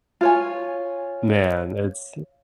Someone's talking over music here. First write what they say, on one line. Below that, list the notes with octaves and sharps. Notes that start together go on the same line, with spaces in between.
man, it's
F4 C#5 G#5